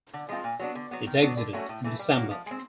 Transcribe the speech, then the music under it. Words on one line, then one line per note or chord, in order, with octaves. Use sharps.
It exited in December.
D3
F3 G#3 C4 F4
A#2
F#3 B3 D4
D3
F#3 B3
D#3
F#3 B3 D4
D3
F#3 A3 C#4 F#4
A2
E3 A3
G3
A#3 C#4 F#4
F3
G#3 C4